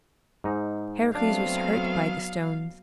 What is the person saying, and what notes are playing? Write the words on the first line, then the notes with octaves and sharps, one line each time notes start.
Heracles was hurt by the stones.
G#2 D#4
F#3 A3 B3 C4 D4 F5